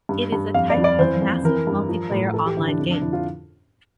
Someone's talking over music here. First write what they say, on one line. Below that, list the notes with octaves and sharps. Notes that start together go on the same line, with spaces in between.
It is a type of massively multiplayer online game.
G2
G2
F2 F5
D5
F2
D5
E3 C5
F2
E3 A#4
G2
F3
A2
F3 A4
G4
D3 E4
D4
F2
D4
F2 E4
F4